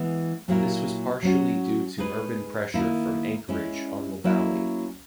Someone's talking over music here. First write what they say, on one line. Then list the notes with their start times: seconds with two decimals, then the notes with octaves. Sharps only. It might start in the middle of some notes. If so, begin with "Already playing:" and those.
This was partially due to urban pressure from Anchorage on the valley.
Already playing: E3 G#3 B3
0.48 A#2 F#3 A#3 E4 A#4
1.23 F#3 C#4 F#4
1.98 G#3 D#4 G#4 B4
2.74 D#3 A#3 E4
3.49 G#3 C#4 E4
4.24 F#3 A#3 C#4 E4